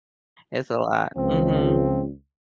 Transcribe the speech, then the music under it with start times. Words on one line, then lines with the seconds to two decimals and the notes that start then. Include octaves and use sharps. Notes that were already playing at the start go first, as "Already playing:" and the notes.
It's a lot. Mhm.
1.17 C#2 F3 C4